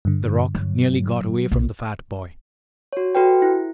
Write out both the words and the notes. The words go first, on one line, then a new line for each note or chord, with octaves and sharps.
The rock nearly got away from the fat boy.
G2 D3
F#3
B1
F#4 C#5
F#4 A4 B4 G5
E4